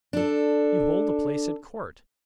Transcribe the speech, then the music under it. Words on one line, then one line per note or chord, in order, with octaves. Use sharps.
You hold a place at court.
D4 A4